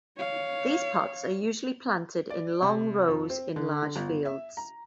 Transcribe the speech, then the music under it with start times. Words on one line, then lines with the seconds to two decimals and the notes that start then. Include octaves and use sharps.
These pots are usually planted in long rows in large fields.
0.17 C#5 F5
2.30 D5
2.62 C3
3.08 F2
3.30 C4
3.56 D3
3.83 D3
3.96 G1
4.25 E5
4.57 A#5